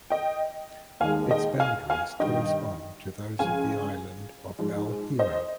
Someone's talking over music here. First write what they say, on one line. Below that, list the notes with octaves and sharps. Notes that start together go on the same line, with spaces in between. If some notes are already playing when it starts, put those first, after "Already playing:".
Its boundaries correspond to those of the island of El Hierro.
D#5 G5
D#2 D#3 G#3 F5 G#5
D#5 G5
F5 G#5
F5 G#5
G2 D#3 G3 D#5 G5
C#2 C#3 F3 F5 G#5
G#2 F3 G#3
C5 D#5